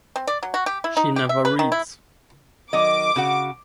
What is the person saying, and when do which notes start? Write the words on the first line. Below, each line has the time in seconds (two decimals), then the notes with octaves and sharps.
She never reads.
0.16 C4
0.27 D5
0.43 F#3
0.54 F#4
0.66 G4
0.84 E4
0.97 D#4
1.16 G4
1.29 E5
1.45 B4
1.59 D#3
1.72 E4
2.73 D#3 F#3 D#5 D6
3.16 C#3 F#4 F#5